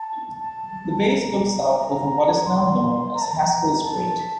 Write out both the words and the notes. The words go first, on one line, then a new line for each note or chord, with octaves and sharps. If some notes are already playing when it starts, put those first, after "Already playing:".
The base looks out over what is now known as Haskell Strait.
Already playing: A5
A5
A#5
A#5
C6
A#5
A5
A#5
A5